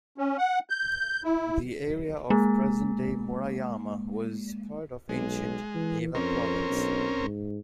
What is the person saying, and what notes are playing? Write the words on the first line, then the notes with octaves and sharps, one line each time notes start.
The area of present-day Murayama was part of ancient Dewa Province.
C#4
F#5
G6
E4
G#3 A#3
B1 G#3
E3
F2 C4 C#4 A#4
B1
G#2